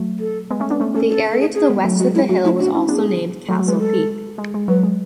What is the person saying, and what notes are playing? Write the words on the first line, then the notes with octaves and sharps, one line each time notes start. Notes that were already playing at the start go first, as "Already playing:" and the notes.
The area to the west of the hill was also named Castle Peak.
Already playing: F#3 A3
A4
G#3 B3
A3 C#4
B3 D4
A3 C#4
A3 C#4 A4
A4
A4
G#4
G#4
G#3 B3
F#3 A3
G#3 F#4
G#3 E4
F#3 A3 F#4
A3 C#4 E4
B3 D4 F#4
C#4 E4
B3 D4 G#4
F#3 A3
F#3
G#3 B4
A4
G#3
G#3
F#3 B4
G#3